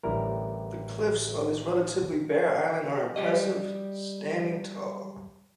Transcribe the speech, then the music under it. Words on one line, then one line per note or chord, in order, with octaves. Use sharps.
The cliffs on this relatively bare island are impressive, standing tall.
A1 D3 G3 E4 A#4
G3 G4 D#5